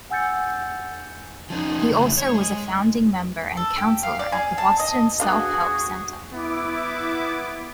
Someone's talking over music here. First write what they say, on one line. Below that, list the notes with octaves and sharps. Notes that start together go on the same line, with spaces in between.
He also was a founding member and counselor at the Boston Self-Help Center.
F#5 G#5 E6 G6 A6 C#7
F3 C#4 D#4
C#3 E3 F#3 G#3 A3
C#5
G#3
A4
G4
F5
D5
G#4
A5
D#5
B3 D4 F#4 G#4 F5
B3 E4 D6